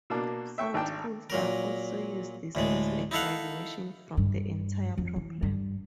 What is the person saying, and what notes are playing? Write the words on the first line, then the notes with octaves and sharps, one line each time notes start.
Some schools also use this as a graduation from the entire program.
B2 A#3 D4
E5 G5 C#6
G#1 D4 G5 A5
A#2 F#3 A#4
D2 A2 G#3
D#4 E4 A4 F5 F#5
G2
F2
E3
G2